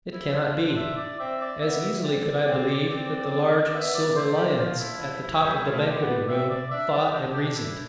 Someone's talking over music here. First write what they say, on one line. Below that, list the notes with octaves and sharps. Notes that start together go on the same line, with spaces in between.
It cannot be!--as easily could I believe that the large silver lions at the top of the banqueting room thought and reasoned.
E4
D4 F4
C5
E5
D5
C4 E5
D5
B3 E5
C4 D5
C4
C4
B3 E5
D5
A3 C5
G4
G4
F3 F4
E4
E4
E4
G3 E4
F4
A3
G4
B3
D5
C4 E5
D5
D4 E5
D5
D4 G4
G4
E4